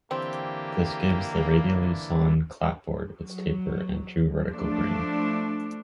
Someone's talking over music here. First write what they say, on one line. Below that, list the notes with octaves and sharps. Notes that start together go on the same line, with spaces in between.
This gives the radially sawn clapboard its taper and true vertical grain.
D3 E3 A#3 C4 G4
F#3
F3 A3 D4